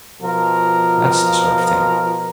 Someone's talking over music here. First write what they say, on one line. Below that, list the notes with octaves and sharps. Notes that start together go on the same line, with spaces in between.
That's the sort of thing!'
B2 F3 F4 A#4